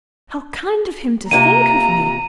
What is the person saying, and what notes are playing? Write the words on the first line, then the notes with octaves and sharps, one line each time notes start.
'How kind of him to think of me!
C3 A#3 F4 A#5 D#7